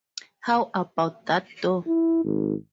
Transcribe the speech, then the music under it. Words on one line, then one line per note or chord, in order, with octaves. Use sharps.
How about that door?
E4
G#1